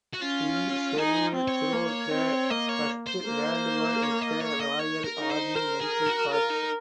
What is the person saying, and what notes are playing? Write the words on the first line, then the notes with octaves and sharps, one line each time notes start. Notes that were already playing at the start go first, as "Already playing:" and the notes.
He served throughout the First World War with the Royal Army Medical Corps.
F#4
C#4 F4
D#4 G#4
C4
C#5
A#3
C4
A#3 D#5
C#5
C5
A#3
C#5
D#5
C#5
D#5
C#5
A#4
D#4
C5
A#4 C5
G#4
A#4
F#4
F4 A#4
D#4